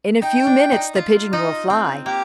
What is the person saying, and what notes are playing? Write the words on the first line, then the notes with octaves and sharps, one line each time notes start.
In a few minutes the pigeon will fly.
D#4 G5
D4
D#4
F4
D#4 D#5
C4
A#3 G4